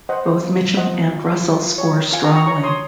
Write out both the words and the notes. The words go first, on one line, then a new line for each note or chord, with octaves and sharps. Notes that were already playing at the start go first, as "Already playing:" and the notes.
Both Mitchum and Russell score strongly.
C5 D#5 F#5
C5
F4
F4
C5 D#5 F#5
F4
F4
F4
F4
F4
C#5
A#4
F4 F5 G#5
F#5 A#5
A#4
A#5 C#6
C#5 A#5 C#6
C#5 C6 D#6